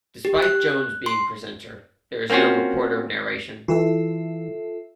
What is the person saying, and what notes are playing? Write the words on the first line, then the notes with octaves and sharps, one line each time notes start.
Despite Jones being presenter, there is no reporter narration.
G4
F#6
C6
A#3 C4 C#4 F4 F#4
E3 F4 A4 E5